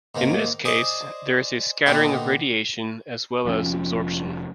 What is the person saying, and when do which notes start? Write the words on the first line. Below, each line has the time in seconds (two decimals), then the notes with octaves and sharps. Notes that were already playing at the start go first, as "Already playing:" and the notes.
In this case, there is scattering of radiation as well as absorption.
0.15 G#2 D#3 A#3
0.65 G#4 C5 D5 D#5
1.86 A#2 D3 B3 D#4 F#4 G4
3.45 F1 F3 C#4